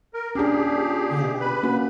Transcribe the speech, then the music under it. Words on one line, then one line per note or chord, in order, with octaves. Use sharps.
But, um
A#4
A#2 C#4 D4 G4 G#4
B4 B5
A#3 C#4 F#4